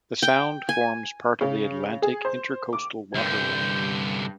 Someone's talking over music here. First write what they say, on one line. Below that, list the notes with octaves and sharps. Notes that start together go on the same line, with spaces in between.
The sound forms part of the Atlantic Intracoastal Waterway.
G5
G#5
C#3
G#4
C5
D6
C2 G2 D3 G6